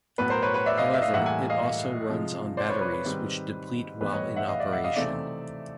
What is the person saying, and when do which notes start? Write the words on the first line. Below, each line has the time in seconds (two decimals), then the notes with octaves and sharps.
However, it also runs on batteries which deplete while in operation.
0.18 A2 F#3 B3 B4
0.30 A#4 C5
0.42 B4 C#5
0.54 B4 C#5
0.66 D5 E5
0.77 D#5 F5
0.94 E5
1.02 D#5 F5
1.13 A2 E3 G3 A#3 E5 F#5
1.26 F#5 G#5
1.50 D#5 F5
2.10 C3 F3 G#3
2.57 C5 D5
2.69 B4 C#5
2.81 B4 C#5
2.93 B4
3.05 G#2 D#3 G3 C4
4.00 A2 E3 G3 B3 B4
4.12 C#5 D#5
4.36 E5 F#5
4.48 D#5 F5
4.60 D5 E5
4.72 E5 F#5
4.84 D#5 F5
4.96 C3 E3 A3 C4 D#4 D5 E5